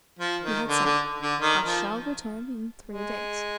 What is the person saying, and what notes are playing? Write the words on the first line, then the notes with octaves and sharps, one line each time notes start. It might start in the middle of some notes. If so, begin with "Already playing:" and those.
He had said: "I shall return in three days."
F3
D#3
D3
D3
D3
D#3
F3
G#3